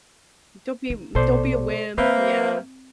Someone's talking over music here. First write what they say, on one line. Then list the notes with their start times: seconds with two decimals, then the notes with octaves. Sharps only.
Don't be m don't be a wimp, yeah.
0.90 D#4
1.15 A#1 B2 A4 C5 D5
1.98 A#3 C4 B4 C5 E5 G6